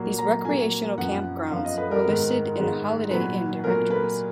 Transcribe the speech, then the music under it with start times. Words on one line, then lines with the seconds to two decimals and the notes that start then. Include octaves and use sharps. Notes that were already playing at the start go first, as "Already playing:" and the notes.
These recreational campgrounds were listed in the Holiday Inn directories.
Already playing: A#2 F#3 A#3
0.19 A#5
0.45 A#2 F#3 A#3 G#5
0.98 F#2 F3 B3 F#5
1.51 F#2 F3 B3 F5
1.65 D#5
1.78 B4
1.91 A#4
2.05 G#2 D#3 G#3 B3
2.58 G#2 D#3 G#3 B3
3.11 A#2 F#3 B3 B4
3.64 A#2 F#3 B3 A#4
3.90 B4